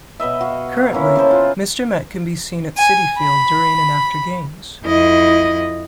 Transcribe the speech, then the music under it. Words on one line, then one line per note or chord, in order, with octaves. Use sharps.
Currently, Mr. Met can be seen at Citi Field during and after games.
B2 B4 D#5 E5
F#4 F5
F5
A#3 C#4 E4
C#3 G#4 C5 A5
F4
G#5
B5
F2 E4 D#5